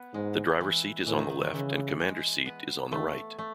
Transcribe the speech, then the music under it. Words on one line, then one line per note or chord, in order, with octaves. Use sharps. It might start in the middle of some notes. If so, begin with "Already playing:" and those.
The driver's seat is on the left and commander's seat is on the right.
Already playing: B3
G#2 G#3
E3
A2 E3
D#3
D#3
D#3
C#3 E3
G#3
B3
D#3 A3
A3